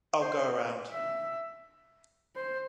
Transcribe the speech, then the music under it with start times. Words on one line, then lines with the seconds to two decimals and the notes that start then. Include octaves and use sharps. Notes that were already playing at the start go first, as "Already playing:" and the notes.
I'll go around.
0.20 C5
0.92 E5
2.35 C5